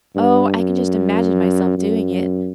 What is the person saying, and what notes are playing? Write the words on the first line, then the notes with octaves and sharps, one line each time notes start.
Oh, I can just imagine myself doing it.
G2
F#2
F#2